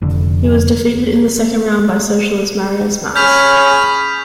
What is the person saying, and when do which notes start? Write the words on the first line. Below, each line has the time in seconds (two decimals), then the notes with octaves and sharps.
He was defeated in the second round by Socialist Marius Masse.
0.02 F1 F2 D3
3.16 C#4 G#4 B5 F6 G6 B6